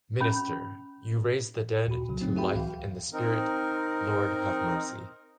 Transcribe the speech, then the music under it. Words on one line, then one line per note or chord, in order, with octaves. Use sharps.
Minister: You raise the dead to life in the Spirit: Lord, have mercy.
C#4 B5
D#2 A#2 F#4 B5
C2 C#3 F#3
F#3 A3 C4 D#4
F#4 G#4 E5 G5 B5
C#2 E3 F5 G5
C4 D#4 A#4